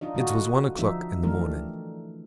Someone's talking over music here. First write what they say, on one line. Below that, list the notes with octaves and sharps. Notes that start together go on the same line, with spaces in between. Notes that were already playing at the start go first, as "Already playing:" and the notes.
It was one o'clock in the morning.
D4 D#4 F4 D#5
D3 G3 F4 F#4 D#5
F3 D4 D#4 E5
E3 G3 A3 D4 D#4 A#4